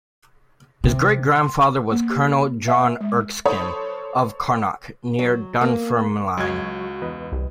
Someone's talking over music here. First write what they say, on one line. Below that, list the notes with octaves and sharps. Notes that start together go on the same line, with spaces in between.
His great-grandfather was Colonel John Erskine of Carnock, near Dunfermline.
C3
C6
A#3
G4
E5
G#3
A4 C5 C#5 B5 D#6
F#3
A#3
C#2 F#3 F#4 D#5 C#6 G#6
E2 B4 D#5
C2